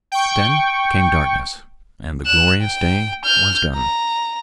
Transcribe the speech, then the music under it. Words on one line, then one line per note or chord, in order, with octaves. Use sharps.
Then came darkness, and the glorious day was done.
G5 C#6
F#6 E7
G5
F6 G6
A#5